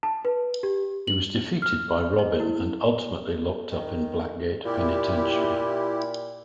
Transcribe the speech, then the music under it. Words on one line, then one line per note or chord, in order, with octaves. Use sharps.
He was defeated by Robin and ultimately locked up in Blackgate Penitentiary.
A5
B4
G4
F#7
F6
D#5
E4
D#3
A#2 E4 G4